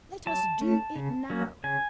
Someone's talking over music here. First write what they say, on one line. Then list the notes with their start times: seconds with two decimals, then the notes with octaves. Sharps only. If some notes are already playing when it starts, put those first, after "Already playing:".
'Let us Do It Now.
0.26 F#3 A5
0.61 A3 C#4
0.96 C#3
1.30 F#3 A#3 C#4
1.64 C#3 G#5